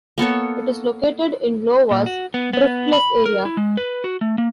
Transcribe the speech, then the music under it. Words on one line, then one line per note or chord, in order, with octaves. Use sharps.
It is located in Iowa's Driftless Area.
A#3 B3 A4 C#5
A#2
F#4
B3
B3
B5
A#4
E4
G#3
B4
F#4
A3
A#3